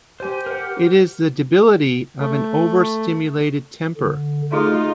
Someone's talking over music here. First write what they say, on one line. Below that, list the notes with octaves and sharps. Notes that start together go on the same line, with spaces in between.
It is the debility of an over-stimulated temper.
G4 C5 G#5
A#4 C5 F#5
A3
D3
A3 D#4 F4 F#4 G#4 A4